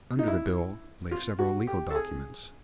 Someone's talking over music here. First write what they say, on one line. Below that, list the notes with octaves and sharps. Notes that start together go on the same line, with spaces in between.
Under the bills lay several legal documents.
D#4
E4
F4
F#4
G4
A4
G#4